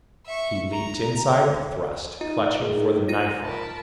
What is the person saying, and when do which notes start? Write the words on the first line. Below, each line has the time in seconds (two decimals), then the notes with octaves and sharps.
He leaped inside the thrust, clutching for the knife arm.
0.26 E5 C#6
0.70 A#5
2.21 D#4 F4
2.60 D#3 G#4
3.08 F4 A#6 D#7
3.44 A#4 A5 B5